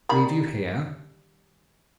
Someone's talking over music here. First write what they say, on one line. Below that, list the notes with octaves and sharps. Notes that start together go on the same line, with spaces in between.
"Leave you here!"
D#3 G3 B5